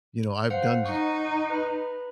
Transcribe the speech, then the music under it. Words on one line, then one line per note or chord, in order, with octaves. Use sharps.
you know, I've done j
C5 F5 F#5
D#4 F#5 C#6
B4 B5